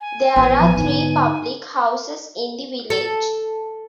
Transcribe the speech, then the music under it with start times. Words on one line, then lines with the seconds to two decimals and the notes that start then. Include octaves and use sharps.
There are three public houses in the village.
0.01 G#5
0.36 A1 B3 C#4 B4
0.59 F3
0.76 G#2 D3 D#4
2.90 A4